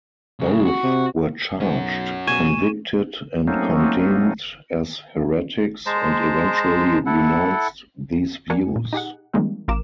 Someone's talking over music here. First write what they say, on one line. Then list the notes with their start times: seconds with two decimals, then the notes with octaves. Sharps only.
Both were charged, convicted, and condemned as heretics, and eventually renounced these views.
0.40 C#3 F#3
0.65 F#4
0.84 C3
1.61 B1 C#4 F#4
2.27 B2 G#5 C#6 D#7 E7
3.47 F#3 A3 A#3 C4 C#4 D#4
5.86 G#3 C5 A5 A#5
7.06 E4 A4 F#5
8.50 F2 A#3 D4 F#4 G#5 C#7
8.76 A#2
8.93 D#4 G4 G#4 F#5
9.33 D#3 F3 G3 G#3 A#3 C4
9.68 A1 F4 A#4 D6 E7